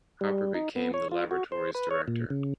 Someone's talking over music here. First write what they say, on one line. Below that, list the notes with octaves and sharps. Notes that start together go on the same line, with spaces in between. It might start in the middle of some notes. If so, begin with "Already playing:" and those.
Hopper became the laboratory's Director.
G3
D#4
B3
C#5
F4
F#4
C5
B4
C#5
A#2
C#3